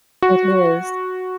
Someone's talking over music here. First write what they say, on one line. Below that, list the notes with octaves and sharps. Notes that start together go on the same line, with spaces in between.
It is.
F#4